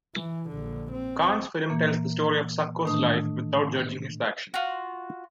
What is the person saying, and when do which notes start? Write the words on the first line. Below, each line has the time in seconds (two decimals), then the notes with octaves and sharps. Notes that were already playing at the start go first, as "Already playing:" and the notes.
Kahn's film tells the story of Succo's life without judging his actions.
0.16 E3
0.49 A#1 D3
0.91 C4
1.70 A#2 E3 A#3
2.84 A2 D#3 A3 D4 D#6
4.54 F4 F#4